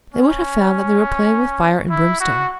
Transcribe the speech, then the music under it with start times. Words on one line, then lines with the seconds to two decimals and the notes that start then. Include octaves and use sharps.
They would have found that they were playing with fire and brimstone.
0.14 C#4
1.90 E4
2.20 F#4